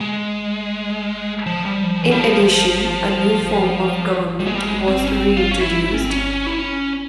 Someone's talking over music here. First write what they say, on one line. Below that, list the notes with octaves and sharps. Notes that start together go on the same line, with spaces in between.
In addition, a new form of government was reintroduced.
G#3
F3
G3
F3
E3
G3
F3
G3
G#3
G3
G#3
C4
C#4
C4
F4
C#4
E4
E4
C#4
C4
C#4
E4
C#4